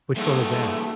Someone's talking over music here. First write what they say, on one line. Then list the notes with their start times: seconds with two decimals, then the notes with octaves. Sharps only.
Which one was that?
0.16 G3 A3 A#3 D#4 G#4 C#5